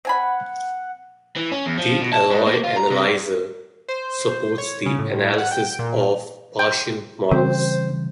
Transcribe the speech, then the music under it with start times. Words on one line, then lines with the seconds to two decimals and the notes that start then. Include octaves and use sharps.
The Alloy Analyzer supports the analysis of partial models.
0.05 C4 F#5 G#5 B5
1.37 E3
1.52 C#4
1.66 E2
1.78 F3
2.01 B2
2.12 A5
2.30 G#2
2.47 A#3
2.64 F4
2.77 A#5
2.91 C3
3.88 C5
4.58 C#5
4.86 C#3
4.99 A2
5.38 F#5
5.51 G5
5.79 A#2
6.59 G5
7.31 C#3 E3 G3 C4 C5